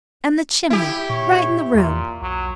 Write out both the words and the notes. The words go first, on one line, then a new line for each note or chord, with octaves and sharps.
And the chimney right in the room!
E4 G4
A#2 C#5
E2 A#2
B1 F#3